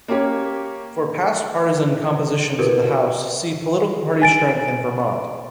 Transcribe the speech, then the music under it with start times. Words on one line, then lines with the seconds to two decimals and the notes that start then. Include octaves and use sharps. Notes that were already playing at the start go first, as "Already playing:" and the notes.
For past partisan compositions of the House see Political party strength in Vermont.
0.08 A#3 C#4 G4 C#5
2.59 E4 F#4 G4 A#4 B4
4.22 G#5 A6 D7